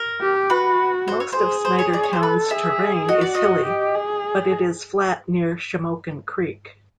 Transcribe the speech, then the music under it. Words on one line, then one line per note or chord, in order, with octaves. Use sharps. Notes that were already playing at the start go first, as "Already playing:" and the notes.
Most of Snydertown's terrain is hilly, but it is flat near Shamokin Creek.
Already playing: A#4
G4
F#4 B4
C5
C#5
G#4 C5
C5
C#5
D5
C#5
C5
A4 B4
G#4 E5
F#4 D#5
D5
D#5
G4
G#4